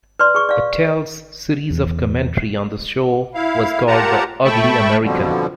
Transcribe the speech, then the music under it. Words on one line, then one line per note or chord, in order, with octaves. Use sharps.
Attell's series of commentary on the show was called "The Ugly American".
B4 D5 C6
G#4 C#6
D5 F5
E2
E4 F5
F4 G4 A#4 F#5 A5 A#5
A3 E5 G5 A5 B5 C#6
F2 B2 D3 F3 G3